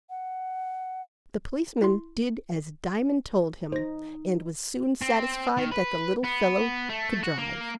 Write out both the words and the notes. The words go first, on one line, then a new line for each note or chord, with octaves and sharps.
The policeman did as Diamond told him, and was soon satisfied that the little fellow could drive.
F#5
E4 C6
D#4 C5 A#6
C4
D#3
B4
B3
A3
F#4
A#3